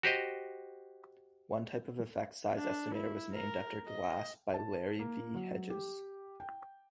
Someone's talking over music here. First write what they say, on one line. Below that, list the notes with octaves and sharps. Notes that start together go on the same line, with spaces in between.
One type of effect size estimator was named after Glass by Larry V. Hedges.
F#4 G4 C5 D#5
D4
E4
A#4
D#5
A5
A#3
F#3
G4
G5